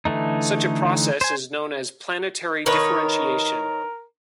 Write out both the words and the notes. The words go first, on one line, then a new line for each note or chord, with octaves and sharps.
Such a process is known as planetary differentiation.
D3 E3 A3 D#4
C5 G#5
D#3 A#4 B4 C#5